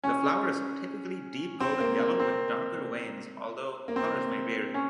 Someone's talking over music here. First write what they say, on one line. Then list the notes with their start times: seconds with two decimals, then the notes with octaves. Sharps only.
The flower is typically deep golden yellow with darker veins, although colors may vary.
0.04 C#4
1.60 C4
1.80 A#3
2.00 A#3
2.20 C4
3.88 A#3
3.96 C4
4.74 C#4